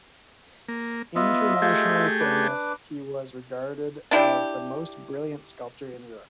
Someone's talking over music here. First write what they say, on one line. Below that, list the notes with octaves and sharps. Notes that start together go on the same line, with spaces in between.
Internationally famous, he was regarded as the most brilliant sculptor in Europe.
A#3
B3 F4 D#5 E5
A3 G4 G#4
D4 B4 D6
D4 E4 G4